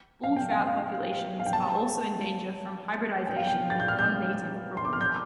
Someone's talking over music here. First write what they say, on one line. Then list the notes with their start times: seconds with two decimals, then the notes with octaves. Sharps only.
Bull trout populations are also in danger from hybridization with non-native brook trout.
0.23 F5
0.36 G5
0.50 F5
0.67 F5
1.40 F5
1.46 G5
1.53 A5
3.27 G5
3.36 F5
3.47 G5
3.70 A6
3.80 G6
3.88 F6
3.99 G6
4.77 C6
4.85 D6
4.93 F6
5.01 G6